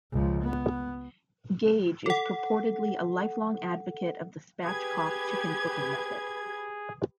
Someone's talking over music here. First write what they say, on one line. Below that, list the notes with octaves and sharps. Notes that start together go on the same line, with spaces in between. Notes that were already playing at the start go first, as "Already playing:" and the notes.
Gage is purportedly a lifelong advocate of the Spatchcock chicken cooking method.
C#2 F3
B3
A4 F#5
G4 G#4 B4 G#6